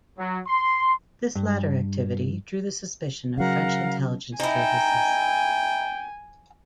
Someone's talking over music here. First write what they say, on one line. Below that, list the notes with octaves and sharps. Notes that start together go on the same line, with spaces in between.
This latter activity drew the suspicion of French intelligence services.
F#3
C6
G2
C#3 F#3 A#4 F5 F#5
D#4 E4 G5 G#5